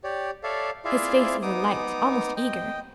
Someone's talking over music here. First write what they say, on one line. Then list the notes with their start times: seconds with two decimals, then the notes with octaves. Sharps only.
His face was alight, almost eager.
0.04 G4 C#5 D5
0.43 A4 C#5 D5 E5 F5
0.85 E4 F4 G#4 D5 E5 F5
1.42 B3 D#4 D6 D#6
2.36 D#5 G5